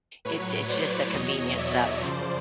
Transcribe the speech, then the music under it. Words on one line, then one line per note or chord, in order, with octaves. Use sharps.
It's it's just the convenience of
A2 F#3 B4 C#5
C5 D5
E2 B2 F#3 C#5 D#5
D5 E5
F#2 C#3 F3 C5 D5